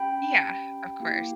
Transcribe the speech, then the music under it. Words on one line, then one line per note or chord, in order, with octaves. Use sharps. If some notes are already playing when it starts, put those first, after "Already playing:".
Yeah, of course.
Already playing: C#4 G4 G5 B5
A#3 E4 G4